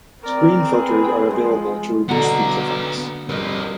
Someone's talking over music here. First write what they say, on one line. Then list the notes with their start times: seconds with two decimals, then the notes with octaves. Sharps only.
Screen filters are available to reduce these effects.
0.23 C4 A#4 D5
0.66 G#4 B4
1.31 F3 G#3
2.09 B2 D3 B3 F#5 A#5
3.29 G3 A#4 B4 D#5